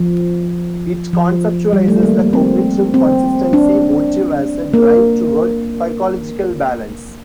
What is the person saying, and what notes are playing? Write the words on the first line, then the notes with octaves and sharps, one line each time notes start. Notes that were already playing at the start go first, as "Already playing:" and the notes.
It conceptualizes the cognitive consistency motive as a drive toward psychological balance.
Already playing: F3
F3
G3
A3
A#3
A#3
C4
C4
D4
A#3